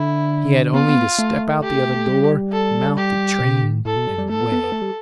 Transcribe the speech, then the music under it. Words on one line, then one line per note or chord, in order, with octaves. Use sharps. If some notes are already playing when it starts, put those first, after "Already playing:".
He had only to step out the other door, mount the train, and away.
Already playing: D3 E4
B3 F4
B3
A3
G4
G3
A4
G4
B2
A2
A2 A4
B2
G3
G3
A3 A4
B3
B3
B3
A3
G3